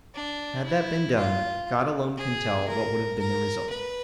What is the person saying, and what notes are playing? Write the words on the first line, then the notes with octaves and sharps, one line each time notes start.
Had that been done God alone can tell what would have been the result.
D4
E4
F4
G#4
A#4
A#4
B4